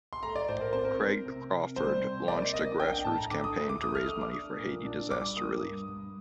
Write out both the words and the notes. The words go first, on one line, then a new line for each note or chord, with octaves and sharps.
Craig Crawford launched a grass roots campaign to raise money for Haiti disaster relief.
C6
A3 A#5
D5
A2 C5
A#4
C4 C5
A#4
C4
C3
C3
G3 C5
C3
A#3 D5
A#3 D#5
D4 G5
G5
A2 A5
A#5
D3 D6
D#6
A3 D#6
D6
A3 D#6
F6
A3 D#6
D6
D4
A#2
D4
G3 D6
A#3 D#6
G2
G2